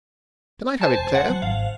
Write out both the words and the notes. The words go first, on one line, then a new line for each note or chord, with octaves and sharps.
Can I have it, Claire?
C5 G#5 A5
E1
F#5
F#3
G#1 F5